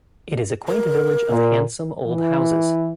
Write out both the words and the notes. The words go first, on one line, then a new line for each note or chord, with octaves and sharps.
It is a quaint village of handsome old houses.
A#4
A#2
E3